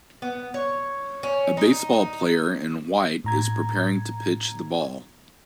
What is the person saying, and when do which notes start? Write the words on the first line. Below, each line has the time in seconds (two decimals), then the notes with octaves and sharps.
A baseball player in white is preparing to pitch the ball.
0.22 B3
0.54 C#5
1.23 C#4
1.57 D#4
1.93 D#4
3.24 A2 A#5 G#6